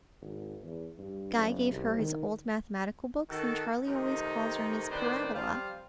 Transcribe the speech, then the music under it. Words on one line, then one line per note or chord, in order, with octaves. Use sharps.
Guy gave her his old mathematical books, and Charlie always calls her Miss Parabola.'
G#1
E2
G2
F#1
C2
D#3
D#3 F#4 A4
C3 D#3 A3 D#4
A2 D#3 D4 B4 C5 D5
F3 G3 C4 F5